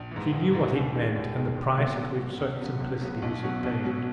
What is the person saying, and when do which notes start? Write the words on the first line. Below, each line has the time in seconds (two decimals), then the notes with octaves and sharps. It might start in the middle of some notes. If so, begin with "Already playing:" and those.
She knew what it meant, and the price at which such simplicity was obtained.
Already playing: A#1
0.11 G#2 E3
0.32 A#1
0.53 G#2 E3
0.74 D#2
0.94 D#3 G#3
1.15 D#2
1.36 D#3 G#3
1.56 A#1
1.77 G#2 F#3 B3 F#4
1.98 A#1
2.18 G#2 F#3 B3 F#4
2.39 C#2
2.60 C#3 F#3 B3
2.81 C#2
3.01 C#3 F#3 B3
3.22 B1
3.42 B2 F#3 C#4 F#4
3.63 B1
3.84 B2 F#3 C#4 F#4